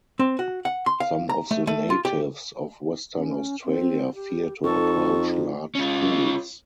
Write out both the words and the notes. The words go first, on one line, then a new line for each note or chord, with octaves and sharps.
Some of the natives of western Australia fear to approach large pools.
C4
F#4
F#5
C6
F5
A#5
A3
A3
F4
G4
C#4
C4
G4
F2 D#4 A4 C#6
C#4 F4